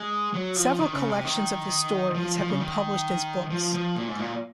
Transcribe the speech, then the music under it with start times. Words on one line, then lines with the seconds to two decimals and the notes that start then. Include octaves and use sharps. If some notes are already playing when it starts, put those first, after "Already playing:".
Several collections of the stories have been published as books.
Already playing: G#3
0.34 F#3
0.56 F3
0.79 D#3
0.93 C#3
1.09 C3
1.25 D#3
2.15 F3
2.38 F3
2.50 C#3
2.60 D#3
3.51 F3
3.74 F3
3.96 A#2
4.08 G#2
4.19 A#2